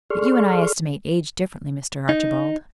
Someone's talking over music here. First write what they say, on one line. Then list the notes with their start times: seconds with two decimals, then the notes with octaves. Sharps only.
But you and I estimate age differently, Mr. Archibald.
0.10 G#4 A4 D5 C6 C#6 F6
2.09 D#4